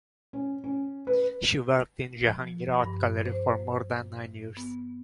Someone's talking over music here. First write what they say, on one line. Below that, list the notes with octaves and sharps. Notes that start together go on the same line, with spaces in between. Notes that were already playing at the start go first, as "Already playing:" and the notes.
She worked in Jahangir Art Gallery for more than nine years.
C#4
C#4
B4
F3
G2
C5
B3